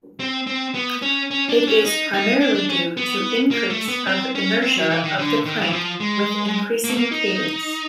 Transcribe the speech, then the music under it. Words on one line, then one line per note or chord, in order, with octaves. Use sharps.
It is primarily due to increase of inertia of the crank with increasing cadence.
C4
C4
B3
C#4
C#4
D4
C#4
D#4
D#4
D4
D4
C#4
B3
A#3
A3
B3
C4
C#4
C4
F#3
E3
D#3
D3
D#3
E3
F3
G#3
A#3
A3
A#3
D#4